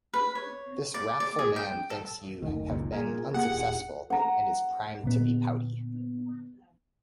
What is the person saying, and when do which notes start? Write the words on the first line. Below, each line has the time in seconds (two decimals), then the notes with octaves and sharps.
This wrathful man thinks you have been unsuccessful, and is primed to be pouty.
0.14 B4
0.35 C#5
0.94 D5
1.20 D5
1.39 G#4
1.56 G5
1.90 A4
2.42 F#1 D2 D#3
2.68 F#1 C#2 A#2
2.92 A#2 G#4 A#4 G#5
3.34 A#3 F4 G4 G#4 F#5
3.50 D#1
4.10 F#5 A#5
5.04 A#2 D3 B3